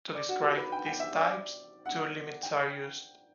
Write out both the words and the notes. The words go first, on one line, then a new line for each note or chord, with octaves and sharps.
To describe these types two limits are used.
D5
F#4
G4
B4
G5
G5
E5
D5
F#5
G5